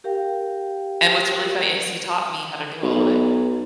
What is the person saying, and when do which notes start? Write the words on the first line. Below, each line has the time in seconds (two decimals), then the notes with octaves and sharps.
and what's really funny is he taught me how to do all of it.
0.04 G4 A#4 F5 G5
2.83 B1